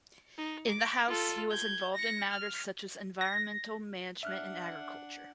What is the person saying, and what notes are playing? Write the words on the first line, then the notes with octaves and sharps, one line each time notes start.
In the House he was involved in matters such as environmental management and agriculture.
D#4
D6
F4 A4
G6 G#6
A#6 C#7
F6
A#6
D4 E5 F#5 F6 F#6